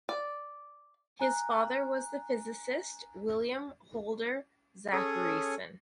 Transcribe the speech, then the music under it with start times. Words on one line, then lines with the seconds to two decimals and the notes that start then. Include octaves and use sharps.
His father was the physicist William Houlder Zachariasen.
0.09 D5
1.19 G#5 A#5 F#6
4.92 C#4 G#4 A4 C#5 C#6 D#6